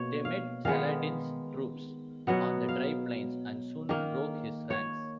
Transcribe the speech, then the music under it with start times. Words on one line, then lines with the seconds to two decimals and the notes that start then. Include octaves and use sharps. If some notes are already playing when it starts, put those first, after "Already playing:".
They met Saladin's troops on the dry plains and soon broke his ranks.
Already playing: B2 A#3 C#5
0.25 F5
0.65 D#3 G#3 B3 F5
2.27 B2 F#3 B3 F#5
2.68 F5
3.89 D#3 A#3
4.70 C#5